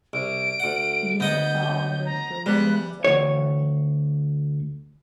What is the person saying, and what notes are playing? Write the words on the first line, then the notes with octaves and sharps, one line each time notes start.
The unit fought all the way to Berlin alongside the Red Army.
C2 D7
D2 F#5
D2 B3 D#5 F#5 G6
A#5
G3 G#3 B3 F#6
D2 C#5